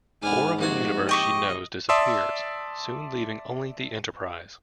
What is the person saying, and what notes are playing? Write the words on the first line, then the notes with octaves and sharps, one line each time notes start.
More of the universe she knows disappears, soon leaving only the "Enterprise".
G#2 B3 D4 G#5 F6
A#1 C3 F#4 G#5
D#5 G5 C#6 D6
D5 E5 A5 C6 D#6 E6